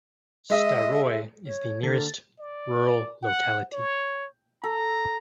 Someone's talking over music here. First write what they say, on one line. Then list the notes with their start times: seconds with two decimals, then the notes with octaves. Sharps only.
Staroye is the nearest rural locality.
0.50 G#3 D#5 E5
1.46 C#5
1.83 D3 A#3 A4 A6
2.40 D5
3.23 F#5
3.73 C#5
4.64 A4 A#5